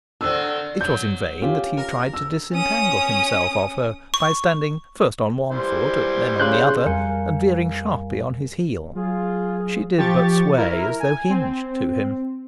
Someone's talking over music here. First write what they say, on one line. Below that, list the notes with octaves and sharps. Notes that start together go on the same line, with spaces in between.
It was in vain that he tried to disentangle himself of her by standing first on one foot, then on the other, and veering sharply on his heel: she did but sway as though hinged to him.
D3 D#3 C4 E6 F#6
F#3 G6
C#4 F4 G4
A#4
E6
C#4 D#6
C#6
E3 G3 C5
C#3 C6 F#6 G6
F2 G3 A#4 F5 G#5 C#7
F#3 F4 G#4
F3 G4 C#6 A6
E4 A#4
G#5
C4